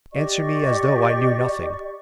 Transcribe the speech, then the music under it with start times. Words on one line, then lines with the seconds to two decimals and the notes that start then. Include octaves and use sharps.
"Answer me as though I knew nothing."
0.13 G4 D5 D#5 C#6